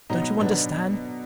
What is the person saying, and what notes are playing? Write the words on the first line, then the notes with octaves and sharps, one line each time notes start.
Don't you understand?
B2 F#3 B3 D#4
B2 F#3 B3 D4